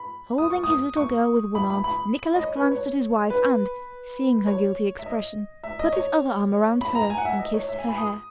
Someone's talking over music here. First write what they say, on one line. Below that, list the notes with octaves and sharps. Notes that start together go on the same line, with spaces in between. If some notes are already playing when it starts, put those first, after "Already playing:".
Holding his little girl with one arm, Nicholas glanced at his wife and, seeing her guilty expression, put his other arm around her and kissed her hair.
Already playing: B5
D#6
C#6
D#6
C#6
B5
B5
B5
D#5
C#5
B4
C#5
B4
C#5
E5
D#5
E5
D#5
C#5
B5
A#5
G#5
F#5
E5
D#5
C#5
E5
G#5
B5
D#6